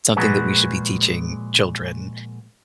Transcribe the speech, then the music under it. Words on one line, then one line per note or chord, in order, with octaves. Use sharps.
something that we should be teaching children,
A#2 F3 G#3 F#4 G#4 B4